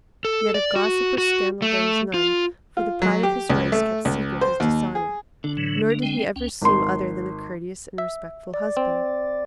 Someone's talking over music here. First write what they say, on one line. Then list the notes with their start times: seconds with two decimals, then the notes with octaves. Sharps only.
Yet of gossip or scandal there was none, for the pride of his race kept secret his dishonour, nor did he ever seem other than a courteous and respectful husband.
0.25 A4
0.54 D5
0.76 F#4
1.18 F#4
1.62 A3
2.14 F4
2.77 F4
3.02 F#3
3.23 G4
3.50 C#2
3.72 A3
4.05 C#2
4.41 C5
4.60 D#2
4.95 G#4
5.44 D3 D4
5.57 A2 E3 F#3
5.90 A#3
6.02 G#3 C4 G5
6.36 C#2 C#4 G5
6.62 G#1 C6
7.98 E5
8.54 D5
8.77 C4